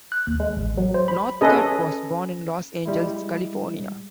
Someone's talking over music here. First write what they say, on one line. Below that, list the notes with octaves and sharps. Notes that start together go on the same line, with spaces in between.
Northcutt was born in Los Angeles, California.
F#6
D#2
G#3
A1
F#3
C5
B5
C#4 G#4 A4 B4 D#5
G3 G#3 E4